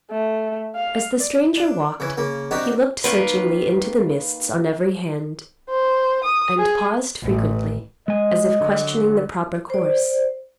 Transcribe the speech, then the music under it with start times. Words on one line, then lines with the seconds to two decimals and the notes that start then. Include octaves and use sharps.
As the stranger walked, he looked searchingly into the mists on every hand, and paused frequently as if questioning the proper course.
0.11 A3
0.76 F5
1.20 D5
1.57 D4
2.00 C#3 E3
2.17 C#3 A#3
2.51 C3 D4 D#4 F#4 G4
3.04 D#3 A#3 B4
5.69 C5
6.24 D#6
6.59 G#4
7.23 A1
8.08 G#3 D#5 G#5
8.60 D3 F#3
9.70 C5 D5